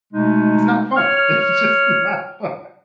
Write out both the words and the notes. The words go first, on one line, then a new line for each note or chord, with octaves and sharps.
it's not fun! It's just not fun.
B2 G#3 A3 D#4
C#5 F6